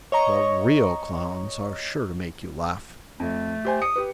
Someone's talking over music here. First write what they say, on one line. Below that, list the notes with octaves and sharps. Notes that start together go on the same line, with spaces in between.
The real Clowns are sure to make you laugh.
C#5 D#5 A#5 C#6
F2 A3
G4 C5 G#5
D#6 C#7
G4 B4